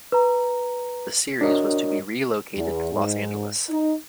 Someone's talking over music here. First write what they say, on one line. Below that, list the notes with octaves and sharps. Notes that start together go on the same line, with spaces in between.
The series was to be relocated to Los Angeles.
B4 A#5
D4 F#4 A#4 C#5 D#5
E2
G#2
D#4